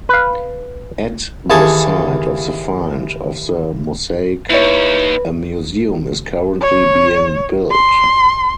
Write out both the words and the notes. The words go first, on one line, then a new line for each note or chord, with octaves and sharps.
At the site of the find of the mosaic a museum is currently being built.
B4 F5
D#2 E3 G#4 A5 C#6
D#2 E4 B4 C#5
C#5
C6